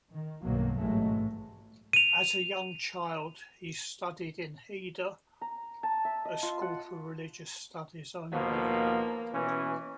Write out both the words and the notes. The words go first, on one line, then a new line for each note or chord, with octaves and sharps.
As a young child he studied in heder, a school for religious studies only.
D#3
B1 G2 B2 D#3 F#3 A#3
A1 G#2 F#3 G#3 A3
D#7 F7
A#5
A5
E5
D#5
F4
F#5
D#2 B2 F3 A#3
B2 E3 C#4